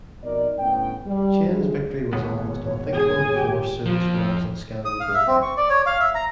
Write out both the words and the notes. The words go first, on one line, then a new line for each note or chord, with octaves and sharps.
Chen's victory was almost unthinkable before Soong's financial scandal broke out.
F2 B2 D#4 A#4 D5
G1 A2 B3 C#4 G5
G3
D3 G#3
D#2 G#2 B2 C#5
G#4 G#5
G4
F2 F3
D#6
F5
E5
C4
C#6
D5
C#5
F5
E5
A#5